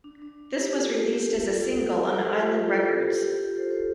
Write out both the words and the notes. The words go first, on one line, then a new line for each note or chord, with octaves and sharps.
This was released as a single on Island Records.
D4
D4
E4 G4
F4 A4
G4 A#4
A4
G4 A#4
F4 A4
A4 C5
G4 A#4
F4 A4
A#4
F4 A4
E4 G4
A4 C5
G4 A#4
G4 A#4
F4
A4 C5
A4 C5